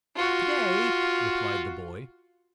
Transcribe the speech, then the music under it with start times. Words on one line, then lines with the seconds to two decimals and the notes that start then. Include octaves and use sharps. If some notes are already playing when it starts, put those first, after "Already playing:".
"To-day!" replied the boy.
0.16 F4 F#4